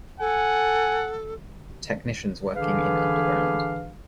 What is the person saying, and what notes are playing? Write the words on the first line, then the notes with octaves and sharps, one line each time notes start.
Technicians working in underground.
A4 F#5 G#5
D3 E3 D4 G#4 B4 F5